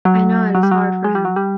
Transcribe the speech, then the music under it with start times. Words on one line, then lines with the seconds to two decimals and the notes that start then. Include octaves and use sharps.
I know it is hard for him.
0.05 F#3
0.55 F#3
0.63 G3
0.71 F#3
1.04 G#3
1.15 G3
1.25 F#3
1.36 G3